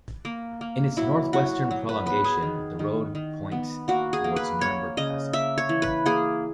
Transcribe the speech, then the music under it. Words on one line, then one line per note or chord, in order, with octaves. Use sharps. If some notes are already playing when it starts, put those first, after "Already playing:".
In its northwestern prolongation the road points towards Nuremberg Castle.
A#3
A#3
F#3 E4
F#3 F#4
F#3
B4
B3 B4
G#4
D#3
D#3
D#3
B3
A#3 F#4
G#4
A#3
B4
A#3 C#5
C#3 D#5
A#3 E5
C#5
E3
B4
A#3 G#4